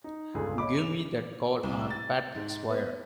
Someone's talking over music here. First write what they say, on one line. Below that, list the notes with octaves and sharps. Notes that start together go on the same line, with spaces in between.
Give me that call on Patrick's wire!
D#4
G1 C#2 F4 G#4 A4
C#5 D#5 B5 D6
D6 E7 F7
C2
A6
G#2
B3